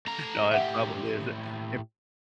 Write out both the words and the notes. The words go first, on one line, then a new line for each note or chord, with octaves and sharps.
No, it probably isn't, if
A3 A#5
A2 G4 E5 F#5